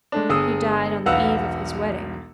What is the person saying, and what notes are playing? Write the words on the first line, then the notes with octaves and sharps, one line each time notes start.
He died on the eve of his wedding.
G#3 A3 D4
G1 G#4 D#6 E6
E1 B1 B4 F5 F#5 E6